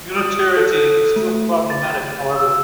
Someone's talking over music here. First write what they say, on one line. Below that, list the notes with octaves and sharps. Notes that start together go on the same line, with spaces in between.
Unitarity is still problematic, however.
D#6
A4
A3
A6
E6